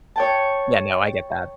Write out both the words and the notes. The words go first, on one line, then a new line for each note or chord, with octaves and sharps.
Yeah, no, I get that.
C#5 G5 A5